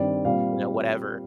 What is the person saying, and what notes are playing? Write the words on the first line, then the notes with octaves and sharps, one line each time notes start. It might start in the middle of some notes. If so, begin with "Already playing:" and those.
you know, whatever.
Already playing: G2 D#3 G3 C4 D5
A#2 G3 C4 F5